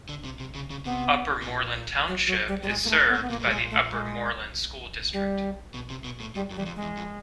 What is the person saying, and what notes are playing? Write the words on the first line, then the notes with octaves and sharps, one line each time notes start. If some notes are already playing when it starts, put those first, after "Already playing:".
Upper Moreland Township is served by the Upper Moreland School District.
D3
C3
C3
C#3
C#3
C3 B3
B2
A#2
F#3
F#3
G3
G#2 G3
A2 G#3
G#2 A#3
A3
G#2
B3
A2
B3
A#2 A#3
A2
G3
A#2 G#3
A3
G#3
G3
B2
C3
B2
A2
G#2 G3
F#2
G3
E2
F2
G#3
E2
F2